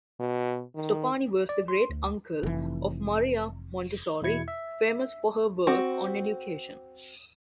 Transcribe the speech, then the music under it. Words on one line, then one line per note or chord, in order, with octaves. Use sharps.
Stoppani was the great-uncle of Maria Montessori, famous for her work on education.
B2
D#3
D5
C6
D2
F1 E3
E2 B2 E4 G#6 C#7
E5
C4 F#4